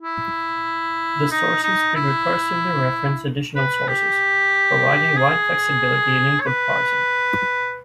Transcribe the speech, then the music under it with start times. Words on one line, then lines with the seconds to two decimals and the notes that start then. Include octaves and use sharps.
The sources could recursively reference additional sources, providing wide flexibility in input parsing.
0.02 E4
1.31 D#4
1.63 D#4
1.96 E4
3.56 B4
3.88 G4
5.17 G#4
6.41 C#5
6.46 B4